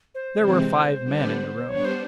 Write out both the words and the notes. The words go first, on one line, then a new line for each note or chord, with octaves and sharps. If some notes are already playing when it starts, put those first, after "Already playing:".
There were five men in the room.
C5
C3 E3 G#3 C4
D3 G3 B3 D4
G3 B3 D4 C#5
C5